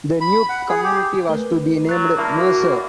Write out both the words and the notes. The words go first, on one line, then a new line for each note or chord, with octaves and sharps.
The new community was to be named Mercer.
B5
F#5
G#4
G4
A3 A#4 B4
F#3 F#6 A6
A#3 D4 E4 A#4
F#4
B3 D5